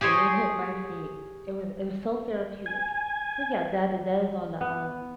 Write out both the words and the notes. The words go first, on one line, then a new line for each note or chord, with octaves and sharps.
when they hit my feet, it was it was so therapeutic, so yeah, that that is on the, um
G4 G#4 C5 C#5 D#5
G#5
B3